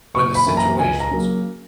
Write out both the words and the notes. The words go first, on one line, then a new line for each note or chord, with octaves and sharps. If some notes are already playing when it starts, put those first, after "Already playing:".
when the situation's
F#1 C#6
B5
F#2 E3 A#3
A#5
C#2 G#5
A#5
C#3 F#3 A#3